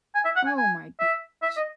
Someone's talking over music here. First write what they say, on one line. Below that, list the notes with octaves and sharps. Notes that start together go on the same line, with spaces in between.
Oh my gosh.
G#5
E5
F#5
G#5
G#5
E5
E5
D#5